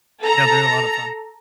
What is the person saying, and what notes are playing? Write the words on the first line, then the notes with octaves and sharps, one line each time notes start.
Yeah, they're a lot of fun.
A4 A#5